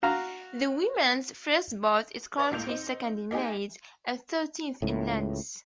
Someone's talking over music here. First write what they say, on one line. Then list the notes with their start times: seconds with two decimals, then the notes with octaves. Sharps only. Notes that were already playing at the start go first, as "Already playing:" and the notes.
The women's first boat is currently second in Mays and thirteenth in Lents.
0.03 F#4 F5 A#5
2.37 B4 C#5 D5 E5
2.51 C#2 A2 A#3 G6 F7
2.67 C4 D#4
3.31 A#3 D#4 G4 G#4
4.82 C#2 A2